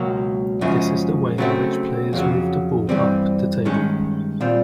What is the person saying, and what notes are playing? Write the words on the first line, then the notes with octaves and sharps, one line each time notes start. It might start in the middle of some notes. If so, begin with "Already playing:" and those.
This is the way in which players move the ball up the table.
Already playing: C#2 B2 F#3 A#3
F#2 C#3 F3 G#3 C#4
C#3 F#3 A3 C4
F2 C#3 F#3
G2 E3 G3 C4
G2 D#3 G#3 C#4
A#2 G3 C4 F4